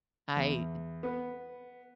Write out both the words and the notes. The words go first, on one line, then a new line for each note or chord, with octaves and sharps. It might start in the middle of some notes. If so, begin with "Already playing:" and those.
I, d
E2
B3